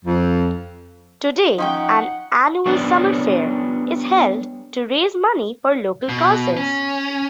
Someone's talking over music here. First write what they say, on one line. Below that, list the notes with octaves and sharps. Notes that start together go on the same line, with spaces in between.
Today an annual summer fair is held to raise money for local causes.
F2
F3 C#4 D#4 F#5 G5
G3 B3 C#4 D4
B2
C#4